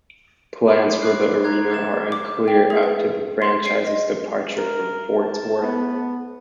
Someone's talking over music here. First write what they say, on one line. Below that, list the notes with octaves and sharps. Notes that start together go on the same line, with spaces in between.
Plans for the arena are unclear after the franchise's departure from Fort Worth.
B5 C6 D6 D#6
B5 D6 D#6 F#6 C7
A#5 F#6 G#6
D6 G6 A6 E7
D6
G5
G#4
B4
C6
C7
D#5
A#4
A5
B3